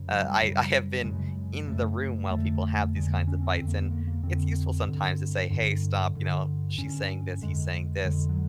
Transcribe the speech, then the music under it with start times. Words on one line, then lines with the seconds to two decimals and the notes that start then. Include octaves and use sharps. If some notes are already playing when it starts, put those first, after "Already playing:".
Uh, I I have been in the room while people have these kinds of fights, and it's useful sometimes to say, "Hey, stop." You know, "She's saying this. He's saying this.
Already playing: F#2 C#3
0.08 F#3
0.24 G3
0.41 F#2 C#3
1.04 F#2 C#3 G#3
1.68 F#2 C#3 A3
2.31 F2 D3 A3
2.95 F2 D3 G#3
3.11 A#3
3.28 C#4
3.43 C4
3.59 F2 D3 C4
3.68 A#3
3.75 B3
3.91 A#3
4.07 A#3
4.23 F2 D3 C4
4.87 G2 D3
5.50 G2 D3
6.14 G2 D3
6.77 G2 D3 C#4
7.42 F2 D3 G#3
8.05 F2 D3 G#3
8.29 F#3